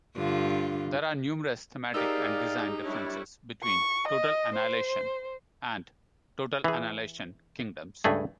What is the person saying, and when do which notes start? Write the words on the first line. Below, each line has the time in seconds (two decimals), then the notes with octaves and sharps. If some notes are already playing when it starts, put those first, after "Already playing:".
There are numerous thematic and design differences between "Total Annihilation" and "Total Annihilation: Kingdoms".
0.16 G2 D3 F4
1.94 D#4 G4 G#4 A#4 D5 F5 E6
2.83 G3 D4 E4 C#5
3.64 C#6
4.08 D#5
4.55 C5
6.64 E3 G#4
8.04 C#2 G2 A3 G#4